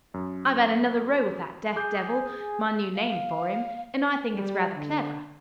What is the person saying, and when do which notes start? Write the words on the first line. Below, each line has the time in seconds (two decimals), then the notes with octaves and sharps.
I've had another row with that deaf-devil--my new name for him, and I think it's rather clever.
0.14 F#2
1.76 G#4 D6 G6
2.96 F5
4.34 G3
4.76 D3